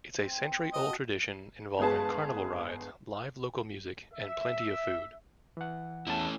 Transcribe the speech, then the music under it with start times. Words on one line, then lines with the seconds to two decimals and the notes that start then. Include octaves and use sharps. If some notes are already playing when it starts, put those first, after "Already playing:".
It's a century-old tradition involving carnival rides, live local music, and plenty of food.
0.22 C4
0.73 F3 F#4 D#5
1.79 G1 G#3 B3 G#4 B4 A5
4.14 E5
5.57 E3 F#5
6.07 E2 A3 C#4 E4 A5